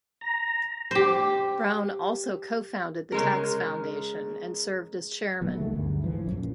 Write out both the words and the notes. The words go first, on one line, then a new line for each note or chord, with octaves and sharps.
Brown also co-founded the Tax Foundation and served as chairman.
A#5
G4 C5
C#3 G#3 A#4
B2 F#3 B3
C#2 D#3 G#3 A3
D2 G2
G#2 E3 F3
A#1 F#2
A#2